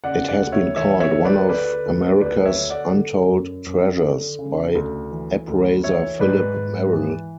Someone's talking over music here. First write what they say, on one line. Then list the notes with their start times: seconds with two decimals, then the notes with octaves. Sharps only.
It has been called one of "America's Untold Treasures" by appraiser Phillip Merrill.
0.04 C#3 D5 F#5
0.28 D5 F#5
0.40 D2
0.52 C#5 E5
0.76 E3 C#5 E5
1.00 C#5 E5
1.12 D2
1.25 B4 D5
1.49 D3 B4 D5
1.86 D2
2.21 D2 B4 D5
2.45 C#5 E5
2.58 D3
2.69 D5 F#5
2.94 D3
3.30 F#2
3.66 F#2
4.03 D3
4.39 C#3
4.75 D2
5.11 E3
5.48 D2
5.84 E3 C#5 E5
6.19 G#2 B4 D5
6.56 G#2
6.93 E3